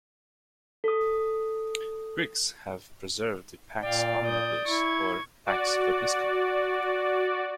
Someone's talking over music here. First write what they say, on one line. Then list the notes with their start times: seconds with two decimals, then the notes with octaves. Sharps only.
Greeks have preserved the "Pax omnibus" or "Pax vobiscum".
0.84 A4 D#6
3.83 A#2 D5 F5 G5
4.25 D#6 G6
4.68 E4 C#6 G#6
5.46 F#4 D5